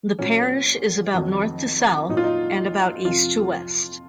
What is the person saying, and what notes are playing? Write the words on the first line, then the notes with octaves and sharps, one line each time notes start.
The parish is about north to south and about east to west.
A#2 F#3 C#4
F2 D#3 F#3
A#2 F#3 D#4
F4
D#4
F2 C3 F3 F4